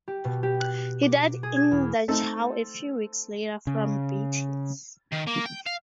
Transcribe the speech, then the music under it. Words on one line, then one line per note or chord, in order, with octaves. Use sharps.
He died in Dachau a few weeks later, from beatings.
G4
B2
G4
F#6
D6
G#4
G#6
E2
A3 C4 D#4 A4
C#3
D#3
A#3
G5
F5